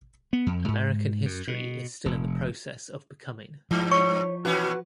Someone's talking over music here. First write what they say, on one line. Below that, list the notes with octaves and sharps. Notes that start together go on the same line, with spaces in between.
American history is still in the process of becoming.
B3
F2
G#2
F#2
B2
F1
G2 F3
C#5 C#6
B2 E3 C#4 F#4 B4